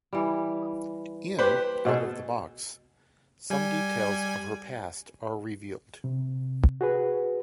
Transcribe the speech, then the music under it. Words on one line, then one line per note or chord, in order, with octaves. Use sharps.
In "Out of the Box" some details of her past are revealed.
E3 G3
G4 B4 C5
B2 G#4 A4
G3 G#5
C3
F#4 G#4 B4